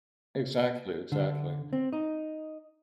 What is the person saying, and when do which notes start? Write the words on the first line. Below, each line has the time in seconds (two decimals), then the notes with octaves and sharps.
Exactly, exactly.
1.12 D3
1.73 C4
1.93 D#4